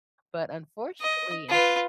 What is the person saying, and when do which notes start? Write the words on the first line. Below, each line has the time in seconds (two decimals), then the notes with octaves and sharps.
but unfortunately in
1.01 D#5
1.49 F4 B4